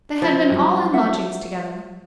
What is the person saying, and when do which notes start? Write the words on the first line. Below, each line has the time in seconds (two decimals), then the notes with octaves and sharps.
They had been all in lodgings together.
0.22 F3
0.52 F#3 G3 G4
0.93 E5 F#5